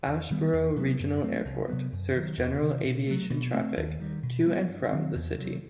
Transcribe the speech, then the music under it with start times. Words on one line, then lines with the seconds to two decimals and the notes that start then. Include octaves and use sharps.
Asheboro Regional Airport serves general aviation traffic to and from the city.
0.07 E2
0.30 D#3 G3 B3
0.53 E2
0.76 C3 F#3 B3
1.00 F#2
1.23 F#3 A3 C4
1.45 C2
1.68 C3 F#3 B3
1.92 F#2
2.15 D#3 F#3
2.38 E2
2.61 C3 D#3
2.85 B2
3.07 F#3 A3
3.30 B2
3.53 A3 C4
3.77 D#2
4.00 D#3 G3
4.23 B2
4.46 G3 B3
4.68 G2
4.92 D#3 F#3 C4
5.15 E2
5.38 C3 F#3